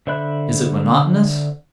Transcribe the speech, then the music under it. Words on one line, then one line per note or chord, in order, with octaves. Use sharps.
Is it monotonous?
D3 C5 E5 B5 F#6